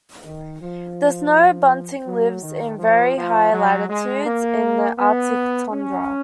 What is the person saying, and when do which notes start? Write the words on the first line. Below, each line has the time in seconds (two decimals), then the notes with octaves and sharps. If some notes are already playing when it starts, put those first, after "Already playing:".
The snow bunting lives in very high latitudes in the Arctic tundra.
0.24 D#3
0.60 F3
2.06 F#3
2.42 D#3
2.78 F3
3.15 F3
3.51 F#3
3.88 G#3
4.24 A#3
4.97 B3
5.70 C#4